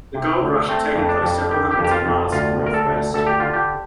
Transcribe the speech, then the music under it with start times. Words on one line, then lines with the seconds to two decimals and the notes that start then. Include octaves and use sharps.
The gold rush had taken place several hundreds of miles to the northwest.
0.14 C3
0.41 D2
0.68 A3 C4
0.96 F2
1.09 D4
1.23 F2
1.50 D#3 G4
1.71 G4
1.78 F2
1.84 G4
1.91 F4
2.06 F2
2.32 D2 F4
2.59 D2
2.66 A#4
2.74 A4
2.87 D2
3.14 D2 A4
3.27 G4
3.40 D3 F4
3.53 G4